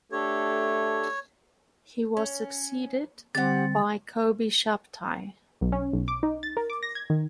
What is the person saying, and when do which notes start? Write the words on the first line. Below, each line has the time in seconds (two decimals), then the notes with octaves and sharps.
He was succeeded by Kobi Shabtai.
0.12 A3 D4 G4 A4 C#5
2.17 C#4
3.35 D3 G3 C4 G4 F#5 A6
5.61 B1
5.72 C#4
5.93 B1
6.08 D6
6.23 D#4
6.43 A6
6.57 A#4
6.70 D6
6.83 A#6
6.95 G#6
7.10 D#3